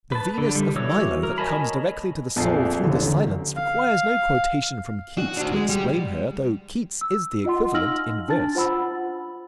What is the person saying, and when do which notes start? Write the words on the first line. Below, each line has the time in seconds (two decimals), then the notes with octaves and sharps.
The Venus of Milo, that comes directly to the soul through the silence, requires no quotation from Keats to explain her, though Keats is the equivalent in verse.
0.12 B4 A5
0.38 D3
0.55 G3
0.76 E3 F#4 C#5 D6 E6
1.23 A#4
1.38 C#5 D#5 G#5 A5 B5
2.36 A#1 F2 B3 G#5 A5 C7
2.83 A1 E2 D3 F3
3.56 F5
5.18 F#4
5.37 D4 F#4
5.52 G#3
5.69 G3
7.01 E6
7.45 F4 D#5 F#5 C6
7.74 D#4 F5 E6 F6 A#6 F#7
8.28 D4 A5 A6
8.55 F4 C5 F#5 B5 E6